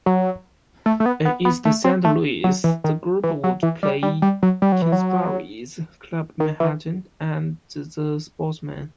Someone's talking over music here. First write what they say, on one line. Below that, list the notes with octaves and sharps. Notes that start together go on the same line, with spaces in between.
In East Saint Louis, the group would play Kingsbury's, Club Manhattan and The Sportsman.
F#3
A3
A3
B3
B3
B3
A3
C4
A3
F#3
E3
D#3
E3
F#3
E3
G3
G3
G3
F#3
G3
F#3
E3
F#3
D#3
E3